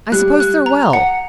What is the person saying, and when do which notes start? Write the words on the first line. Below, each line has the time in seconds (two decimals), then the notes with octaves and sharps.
'I suppose they're well.
0.12 G3 F#6
0.40 F#6
0.66 A#5
0.93 F#5